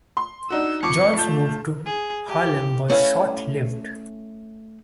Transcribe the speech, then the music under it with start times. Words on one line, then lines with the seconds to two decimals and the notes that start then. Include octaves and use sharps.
Jones's move to Harlem was short-lived.
0.17 C6
0.50 D4 D#4 F#4 E6
0.83 F2 C#6 D6 C#7
1.17 A3 F4 A5 G6
1.86 G#4
2.29 G4
2.90 A3 C#4 E4 B4 F5